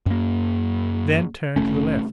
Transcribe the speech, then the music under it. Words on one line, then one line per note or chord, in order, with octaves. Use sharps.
Then turn to the left.
F#2 A#3
F1 A3 C#4